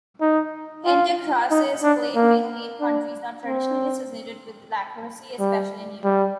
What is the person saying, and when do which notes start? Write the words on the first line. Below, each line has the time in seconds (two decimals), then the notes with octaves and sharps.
Intercrosse is played mainly in countries not traditionally associated with lacrosse, especially in Europe.
0.21 D#4
0.86 F4
1.51 D#4
1.83 D4
2.15 A#3
2.80 D4
3.45 C4
5.40 G3
6.04 G3